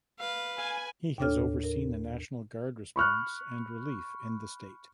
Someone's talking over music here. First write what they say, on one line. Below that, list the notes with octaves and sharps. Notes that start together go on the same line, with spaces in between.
He has overseen the national guard response and relief in the state.
B4 F5
G#5
D#2 A2 D4 A4 C#5 F6
A#4
B5 C#6 F6 F#6